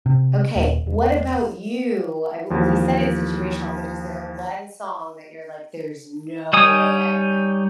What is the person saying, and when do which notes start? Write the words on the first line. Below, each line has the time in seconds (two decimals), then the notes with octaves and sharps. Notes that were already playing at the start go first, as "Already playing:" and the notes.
Okay. What about you? I w we said it's situational, but is there one song that you're like, "There's no way I would
0.06 C3
0.56 D#1
0.86 E1
2.50 D#2 E3 F3
6.53 G3 D#4 C#5 G#5 D#6